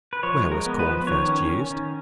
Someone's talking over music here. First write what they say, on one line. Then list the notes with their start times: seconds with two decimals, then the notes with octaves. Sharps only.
Where was Corn first used?
0.13 B4
0.23 F3 C#5
0.44 G#3
0.52 A#4
0.65 B3
0.79 B4
0.87 F3
1.07 D#3 C#5
1.28 C#4
1.49 C#4
1.71 D#3